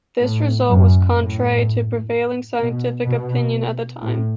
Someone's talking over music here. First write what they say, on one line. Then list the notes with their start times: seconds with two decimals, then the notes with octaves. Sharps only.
This result was contrary to prevailing scientific opinion at the time.
0.21 A2
0.69 F#2
1.16 A2
2.60 B2
3.07 B2
4.03 A2